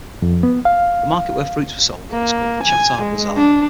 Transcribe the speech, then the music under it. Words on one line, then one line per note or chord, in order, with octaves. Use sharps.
The market where fruits were sold is called chatar bazar.
F2
B3
F5
A#3
G#5
G#3
D4